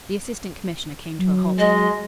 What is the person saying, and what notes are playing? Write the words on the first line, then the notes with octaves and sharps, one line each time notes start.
The Assistant Commissioner came to a halt.
F#3
G#3 D#5